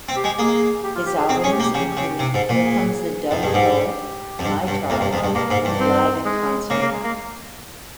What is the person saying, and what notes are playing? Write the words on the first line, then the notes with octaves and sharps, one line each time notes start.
His albums include "Here Comes The Dub Poet", "My Tribe" and "Live in Concert".
C4
G4
G#3
A#3 G#4
G4
F4
G4
G#4
C4 G#4
G#4
C#4
G4
A#3
G4
C#3
C#3
C3
G#2
A#2
G#4
F2
G2 G#4
G#2 G4
F2
G2
G2
F2 A#3
G2
F2 G#3
G2
G2 A#3
G#2
G2
C4
G#3
C#3 A#3
A#3
G#3
A#3